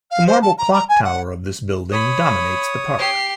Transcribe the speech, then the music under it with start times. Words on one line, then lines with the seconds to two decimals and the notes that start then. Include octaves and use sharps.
The marble clock tower of this building dominates the park.
0.11 F5
0.27 C5
0.42 A5
0.58 A#5
0.72 A#5
0.89 G#5
1.04 F#5
1.92 C#5 B5 D#6
2.99 G4 C7